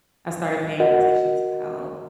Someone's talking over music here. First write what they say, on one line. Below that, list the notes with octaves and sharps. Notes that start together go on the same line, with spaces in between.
I started paying attention to how
F#4 A#4 D#5 F#5